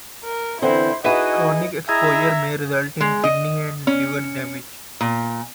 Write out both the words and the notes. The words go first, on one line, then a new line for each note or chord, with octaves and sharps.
Chronic exposure may result in kidney and liver damage.
A#4
D3 E3 C4 E4 C5
D#4 E4 F#4 G#4 B4 D#5 F#5
E4 G#4 D#5 E5 A#5 G#6
G#3
D#5
C#4
A#2